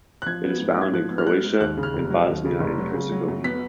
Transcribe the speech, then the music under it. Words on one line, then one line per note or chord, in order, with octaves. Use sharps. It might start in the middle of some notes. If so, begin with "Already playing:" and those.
It is found in Croatia and Bosnia and Herzegovina.
F#6
F3 G#6
B3
G#2
G#2 G#6
F3 F#6
B3
F6
G#2 F#6
G#2
D#2 F#6
C#3
F6
F1
F#3
D#2
C#3
F1
F#3
C#3
F#3
F#2
B3 B6